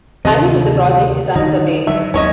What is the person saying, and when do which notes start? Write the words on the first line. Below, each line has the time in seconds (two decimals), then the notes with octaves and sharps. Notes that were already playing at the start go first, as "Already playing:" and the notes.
Timing of the project is uncertain.
0.25 D2 C3 D#3 F3 D#5
1.35 D3 D#3 D#4
1.87 G2 F#3 E5
2.14 D#2 F#3 C4 C#4 C#5 D#5